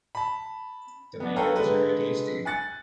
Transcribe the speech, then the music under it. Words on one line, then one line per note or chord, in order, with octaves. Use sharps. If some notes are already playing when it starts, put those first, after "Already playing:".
The mango was very tasty.
A5 B5
B3 D4
A4 B4 C#5 F5 G5 A#5
D3 G#3 B4
G#5 F#6 A6 C#7